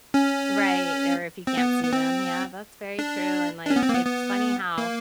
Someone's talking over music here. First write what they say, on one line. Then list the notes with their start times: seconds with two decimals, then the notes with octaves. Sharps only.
Right, or if you can't see them. Yeah, that's very true, and, like, it's funny how,
0.14 C#4
1.47 C4
1.58 B3
1.84 B3
1.93 C4
2.99 D4
3.66 D4
3.70 C#4
3.76 B3
3.83 C4
3.89 A#3
3.94 B3
4.05 B3
4.78 A#3